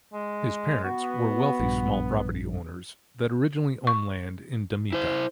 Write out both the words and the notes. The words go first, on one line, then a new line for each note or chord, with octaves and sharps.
His parents were wealthy small-property owners that originally owned land in Damietta.
G#3
B3 F#4
A#1 G2
C#6
E4 C5